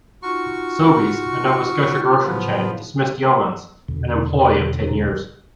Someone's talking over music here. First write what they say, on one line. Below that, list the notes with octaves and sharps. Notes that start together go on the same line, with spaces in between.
Sobeys, a Nova Scotia grocery chain, dismissed Yeomans, an employee of ten years.
D#4 F4 F#4 C#6 F6
A2 C#3 F3 F#3 B3
E2 B2 D3